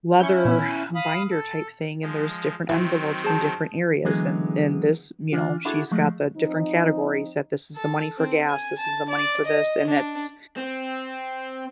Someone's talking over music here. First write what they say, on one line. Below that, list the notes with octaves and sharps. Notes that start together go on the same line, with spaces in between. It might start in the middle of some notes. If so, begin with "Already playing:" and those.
leather binder type thing, and there's different envelopes in different areas. And and this you know, she's got the different categories that this is the money for gas, this is the money for this, and that's
C#4 E4 C#6 G6
A#2 D#3 B3
F5 B5 D#6
A4
F3 G#3
D#3 E3 F#3 C4
G#4 C5 A5
D3 E3 F#3 G#3 B3 G#4
E3 D4 F4
D4 E4 F#4 G#4 A4
F3 G#3 A3
F3 C4 D#4
A4
C4
G#5
A5
D5
D#5
D4
C4